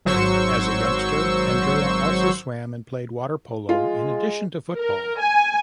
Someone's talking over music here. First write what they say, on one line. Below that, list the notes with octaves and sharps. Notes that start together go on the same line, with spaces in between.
As a youngster, Andrea also swam and played water polo, in addition to football.
G#1 F#3 C5 C#6 E6
G#3 F4
A#4
G#5